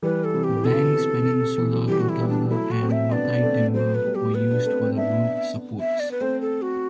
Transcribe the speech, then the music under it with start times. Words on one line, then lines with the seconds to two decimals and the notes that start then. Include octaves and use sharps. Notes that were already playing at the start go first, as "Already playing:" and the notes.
Banks Peninsula totara and matai timber were used for the roof supports.
0.02 E3 G3 B4
0.24 A4
0.34 C3 E3
0.44 G4
0.56 E3
0.65 B2 D3 A4
0.96 C3
1.27 C3
1.42 C3
1.58 C3 E3
1.73 D3 F#3
1.88 E3 G3 G4
2.00 F#4
2.09 E4
2.19 G3 B3
2.29 D4
2.50 F#3 A3 E4
2.71 F#4
2.81 A3 C4
2.91 E5
3.12 B3 D4 D5
3.43 A3 C4
3.73 F#3 A3 C5
3.95 B4
4.05 G3 B3
4.15 G4
4.35 B4
4.51 B3 D4
4.66 A3 C4
4.82 A3 C4
4.97 B3 D4 E5
5.80 E5
6.00 D5
6.11 B4
6.21 A3 C4 C5
6.41 A4
6.62 F#4